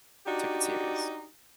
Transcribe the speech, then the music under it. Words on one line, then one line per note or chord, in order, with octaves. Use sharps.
Took it serious.
D4 D#4 F#4 G4